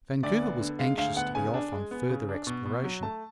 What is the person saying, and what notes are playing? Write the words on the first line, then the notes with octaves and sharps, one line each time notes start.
Vancouver was anxious to be off on further exploration.
D2 D5
B3
D3
G#3 F5
D2 F5
B3 F#5
C#3 G#5
D4
G#3
B3
C#3
D4
B2
B2
F#3
A3 A5